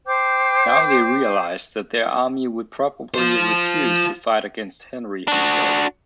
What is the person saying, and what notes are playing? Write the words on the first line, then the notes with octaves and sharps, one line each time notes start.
Now they realised that their army would probably refuse to fight against Henry himself.
C5 G5 D6 G6
F4 C5
D4 F#4